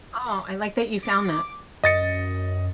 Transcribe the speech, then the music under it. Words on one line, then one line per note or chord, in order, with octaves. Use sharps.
Oh, I like that you found that.
D6
F#2 D#5 A6 C#7